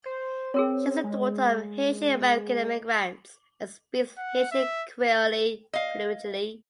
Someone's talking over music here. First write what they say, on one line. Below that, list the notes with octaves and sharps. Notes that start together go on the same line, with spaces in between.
She is the daughter of Haitian American immigrants and speaks Haitian Creole fluently.
C5
C4 G#4 A#4 C#5
G#3
F#5
E5
D#5 F5